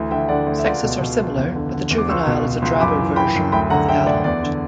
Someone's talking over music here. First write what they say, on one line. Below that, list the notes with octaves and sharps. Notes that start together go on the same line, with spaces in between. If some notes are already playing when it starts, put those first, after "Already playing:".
Sexes are similar, but the juvenile is a drabber version of the adult.
Already playing: D2 E3
D3 E5 G5
D3 D5 F#5
D2
E5
C#2 D5 F#5
B2
B2
C#2
E2
D3
D3
E2
D6
C#2 C#6 E6
B2
B2
C#2
F#2 B5 D6
E3
E3 G5 B5
F#2
D2 G5 B5
D3 F#5 A#5
D3 E5 G5
D2 D5 F#5
E2 D5 F#5
D3